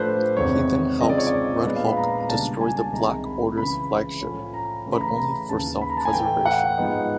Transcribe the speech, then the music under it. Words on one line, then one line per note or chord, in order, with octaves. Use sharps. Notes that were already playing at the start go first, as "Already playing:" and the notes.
He then helps Red Hulk destroy the Black Order's flagship, but only for self-preservation.
Already playing: A2 F3 A3 D4 B4 C5
E2 C3 D#3 G#3 C#5
C#3 F3 G#3 C4 D#4 D#5
D5
C#5
D5
A#2 F3 G#3 B3 D4 D#5
F5
B5
A#5
A#5
A#5
C#2 B2 G3 A#3 D4 A5
G#5
A5
C2 C3 D#3 G#3 A#5
B5
C#2 C#3 E3 B5
A2 F3 A3 C#4
A#5
C#3 E3 A3 C#4
B5
A#5
B5
A#5
D#2 C#3 E3 A5
B5
A#5
A5
G#5
A2 E3 A3 G5
F#5
G#2 F3 G#3 B3 D#4